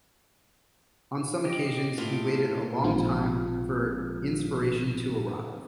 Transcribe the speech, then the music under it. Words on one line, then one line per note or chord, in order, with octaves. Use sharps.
On some occasions he waited a long time for inspiration to arrive.
G4 D#5 G5
A2 F4
A1 A#2 F3 G#3 C4 F4